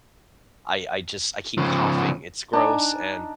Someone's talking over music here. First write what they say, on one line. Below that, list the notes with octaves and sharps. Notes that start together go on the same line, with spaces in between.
I I just I keep coughing. It's gross. And
C#3 F3
D4 D#4 G#5